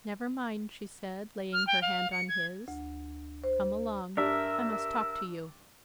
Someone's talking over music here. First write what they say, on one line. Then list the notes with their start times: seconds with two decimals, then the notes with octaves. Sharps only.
"Never mind," she said, laying her hand on his, "come along, I must talk to you."
1.53 F6
1.67 G5
1.82 F5
2.11 C#7
2.29 G#6
2.68 D2
3.44 C5
4.17 G2 D4 A#4 E5 E6